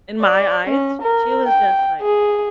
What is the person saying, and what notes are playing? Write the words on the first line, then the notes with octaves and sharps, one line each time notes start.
in my eyes, sh she was just, like,
D5
C#4
A#4
G5
G#4